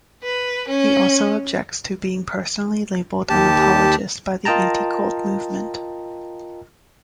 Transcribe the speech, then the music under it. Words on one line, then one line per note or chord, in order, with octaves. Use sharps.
He also objects to being personally labeled an "apologist" by the "anti-cult movement".
B4
C#4
D#2 G4 A5
F4 A#4 D#5 G5 A5 A#5